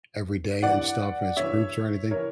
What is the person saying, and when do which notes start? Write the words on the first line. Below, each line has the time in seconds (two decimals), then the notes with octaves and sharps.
every day and stuff as groups or anything?
0.62 G2 E3 D5 F#5
1.36 G2 E3 C#5 E5
2.11 E3 A#4 C#5